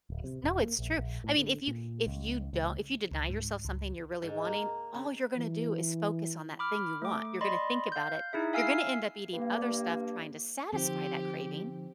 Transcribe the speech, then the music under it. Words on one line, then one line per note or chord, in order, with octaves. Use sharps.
Is No, it's true. I mean, if you if you don't if you deny yourself something you're really wanting, all you're gonna do is focus on that thing you want. You're gonna think about it, you're gonna end up eating other stuff trying to satisfy that craving,
D1
C3
E1
A#3
A#1
A#1
A2
D3
A#2
C#2
C#2
C#2
G#2
C#2
G#2
A#3
C#3
E3
B5 D6 F6
A3 D6
D5 D#5 B5 C6
F5 G6
D#4 E4 G#4 E5
E5 F5 G#5 E6 F6 C7
G2 A#3
D3 F3 C4 D#4 G4